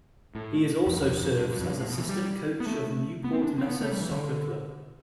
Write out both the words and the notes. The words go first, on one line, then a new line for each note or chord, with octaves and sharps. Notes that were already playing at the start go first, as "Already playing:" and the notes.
He is also serves as Assistant coach of Newport Mesa Soccer Club.
A2
F2
G2
F2
E2
F2
G2
G2
F2
G2
A2
B2
E3
G3
B3
A3
B3
C4
D4
C4
B3
A3
G3
E3
D3